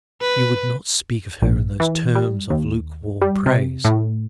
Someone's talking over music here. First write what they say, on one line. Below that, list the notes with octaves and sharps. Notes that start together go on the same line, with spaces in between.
You would not speak of her in those terms of lukewarm praise.
B4
A#1
E3
G3
D#2
G3
C3
A2